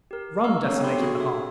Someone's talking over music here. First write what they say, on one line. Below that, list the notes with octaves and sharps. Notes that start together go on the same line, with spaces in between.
Rum desolated the hearth.
G4 A#4
F5 A#5 C#6 E6 F6
B3 C4 D4 A4 C#5
G4 A4 B5 C6
F#4 G#4 B5 G#6
E5